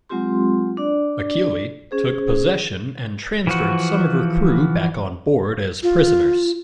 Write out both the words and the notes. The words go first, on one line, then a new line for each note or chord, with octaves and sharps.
"Achille" took possession, and transferred some of her crew back on board as prisoners.
F#3 G#3 C4 F4 G4 C6
D4 D5
C#4 G#4 C5
E3 F3 F#4
F4